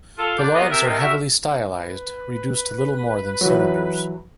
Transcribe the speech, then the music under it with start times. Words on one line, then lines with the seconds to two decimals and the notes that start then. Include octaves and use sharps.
The logs are heavily stylized, reduced to little more than cylinders.
0.17 F4 A4
0.39 D3 D4 G4 D5
0.55 D#2 D#3 F#3 A#3 B3 D#5
0.70 C3 A#4 E5
0.83 C3 D#3
0.99 F#4 G4 A#4 E5
1.77 B4
3.41 E3 F#3